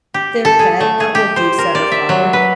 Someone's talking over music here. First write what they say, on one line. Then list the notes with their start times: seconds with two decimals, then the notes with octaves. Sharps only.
"There, pet, that will do," said her father.
0.14 G4
0.45 A4
0.59 G#4
0.80 A3
1.00 G#4
1.15 G4
1.36 C5
1.58 A#4
1.75 D5
1.92 E5
2.09 F#3
2.33 B4